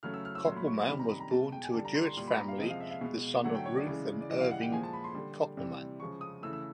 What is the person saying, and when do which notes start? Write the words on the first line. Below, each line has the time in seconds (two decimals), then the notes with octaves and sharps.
Koppelman was born to a Jewish family, the son of Ruth and Irving Koppelman.
0.03 C#3 F#3 A3 F6
0.14 E6
0.25 F6
0.35 E6
0.45 A#2 F#3 A3 C6
0.56 B5
0.67 C#6
0.78 B5
0.88 C3 D#3 G3 B5
0.99 A#5
1.09 B5
1.20 A#5
1.31 B2 G#3 A5
1.52 G5
1.63 G#5
1.73 D3 A5
1.77 G3
1.85 A#5
1.95 C6
2.05 C6
2.17 A#2 G3 C6
2.27 B5
2.37 A#5
2.48 F5
2.58 C3 F3 G#3 D#5
2.70 F5
2.80 E5
2.90 F5
3.01 B2 G#3
3.44 D3 F#3 A3 F#5
3.55 G5
3.66 C#5
3.77 D5
3.87 C#3 E3 G#3
4.21 D5
4.30 C#3 E3 G3 D#5
4.40 F5
4.51 F#5
4.61 G5
4.72 A#2 F3 G#3 G#5
4.83 A5
4.93 B5
5.04 C6
5.15 D3 G3
5.57 C3 E3 G3
6.00 C#3 F3 G#3 C#6
6.21 D#6
6.43 C#3 E3 A3 E6
6.53 E6